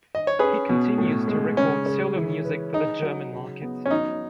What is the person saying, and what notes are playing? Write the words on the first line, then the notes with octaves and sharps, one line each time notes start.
He continues to record solo music for the German market.
D#5
C#5
C#4 G#4 B4
B2
A2
G#3
C#3 C#4
C#3
E3
B4
D#4 G#4
F#3
C#3
B3
C#4
F#3 D#4